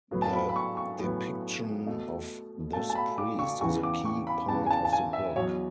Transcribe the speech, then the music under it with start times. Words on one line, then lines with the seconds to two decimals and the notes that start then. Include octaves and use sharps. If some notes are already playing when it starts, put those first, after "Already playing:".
The depiction of this priest is a key part of the book.
0.11 A2 F#3 B3
0.22 A5
0.33 B5
0.49 B5
0.56 C#6
0.77 C#6
0.99 A2 F#3 B3
1.87 B2 A3
2.73 B2 A3 A5
2.90 A5
2.95 B5
3.18 D6
3.39 C#6
3.61 E2 C#3 E3 B3 C#6
3.83 D6
4.05 C#6
4.27 B5
4.48 E2 C#3 E3 B3 A5
4.66 G#5
4.71 A5
4.85 A5
4.93 G#5
5.13 E5
5.36 E2 B2 F#3 C#5